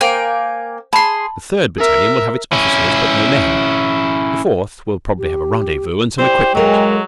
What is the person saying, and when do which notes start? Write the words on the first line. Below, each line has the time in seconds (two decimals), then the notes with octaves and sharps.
The third battalion will have its officers, but no men; the fourth will probably have a rendezvous and some equipment.
0.01 A#3 C5 G5 G#5
0.93 G#4 A5 B5 C6
1.78 A#4 E5
2.53 C#4 E4
5.18 G4
6.18 E4 G4 C5 D5 G5
6.55 F#3 G#3 A4 A#4 F5